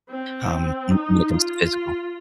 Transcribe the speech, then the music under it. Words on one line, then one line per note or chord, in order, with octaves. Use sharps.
um, w when it comes to physical
C4
D#4
F4